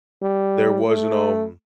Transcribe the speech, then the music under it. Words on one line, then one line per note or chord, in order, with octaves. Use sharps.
there wasn't, um
G3
A3